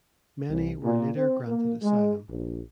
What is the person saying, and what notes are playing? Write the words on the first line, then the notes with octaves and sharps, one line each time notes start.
Many were later granted asylum.
C2
A#2
C4
A#3
G#3
A#1